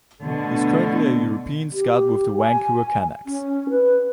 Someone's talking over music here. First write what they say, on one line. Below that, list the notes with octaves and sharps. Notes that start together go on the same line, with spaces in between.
He is currently a European scout with the Vancouver Canucks.
B2 D3 A3
G4
G#5
C#4
B4